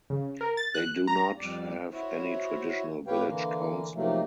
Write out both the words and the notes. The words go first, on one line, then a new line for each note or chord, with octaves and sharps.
They do not have any traditional village council.
C#3
A#4
A6
F#6
A#5
F2 G3 D5
E4 F#4 C5 C#5
A2 G4 B4 C#5 F5 G5
D3 E3 A#3
C3 D#3 F3 F#3 A3 A#3